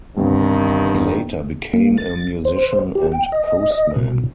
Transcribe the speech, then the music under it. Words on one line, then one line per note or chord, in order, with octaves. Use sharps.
He later became a musician and postman.
G1 C2 G2 D#3
A#3
A6
C5
G4
G5
D#5
D#5
B2